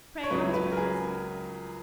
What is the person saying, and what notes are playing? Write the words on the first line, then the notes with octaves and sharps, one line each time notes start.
Pray, how is Brittles?'
C#5
C#2 C#3 F#3 B4
B4
A#4
G#4